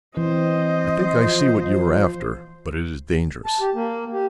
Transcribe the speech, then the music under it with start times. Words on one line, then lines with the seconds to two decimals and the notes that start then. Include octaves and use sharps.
"I think I see what you are after, but it is dangerous."
0.17 E3 C4 C5 D#5
1.17 F3
3.45 A5
3.60 G4
3.75 A#3
4.12 G4